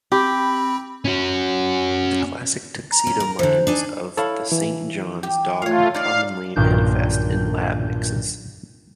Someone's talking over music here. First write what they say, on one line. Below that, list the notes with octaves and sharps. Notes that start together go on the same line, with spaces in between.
The classic tuxedo markings of the Saint John's dog commonly manifest in Lab mixes.
C4 G4 B5
C#4 F#4
A#5
C#4
A#4
D3 E3 C5
D4 D#4 G#5
E4 A4 C#5 F5
E3
G4
A3 F4 C#5 F5
D#4 D5 F5
B1 G2 A#2 D#3 D4 G6